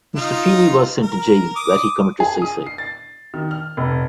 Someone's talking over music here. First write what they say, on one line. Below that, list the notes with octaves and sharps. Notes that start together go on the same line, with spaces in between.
Mr. Feeny was sent to jail, where he committed suicide.
D#4 F4 D#5
A#4
D6 D#6
G#4
D#6
C7
A6
D#3
F6
F1